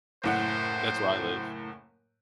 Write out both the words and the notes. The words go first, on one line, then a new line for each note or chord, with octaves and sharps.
That's where I live,
F#1 A2 C5 F#5